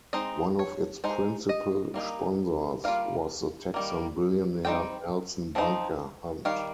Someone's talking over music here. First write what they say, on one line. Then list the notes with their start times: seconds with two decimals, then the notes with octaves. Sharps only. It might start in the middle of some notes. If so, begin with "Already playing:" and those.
One of its principal sponsors was the Texan billionaire Nelson Bunker Hunt.
0.13 G#3 C4 D#4 D#5
0.59 C#5
1.04 G#3 D#4 C5
1.49 D#5
1.94 G3 A#3 D#4
2.84 G3 A#3 F4 F5
3.74 D#3 G3 A#3
4.65 G3 C4 D#4 G5
5.55 F3 C4 D#4
6.45 D#3 G3 F5